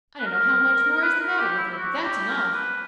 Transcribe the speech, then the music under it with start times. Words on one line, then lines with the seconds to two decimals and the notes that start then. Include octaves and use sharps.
I don't know how much more is the matter with her, but that's enough.
0.20 B4
0.26 A#4
1.02 B4
1.20 A#4
1.39 G4
1.58 E4
1.71 E4
1.77 F#4
2.03 G4
2.29 A#4
2.54 B4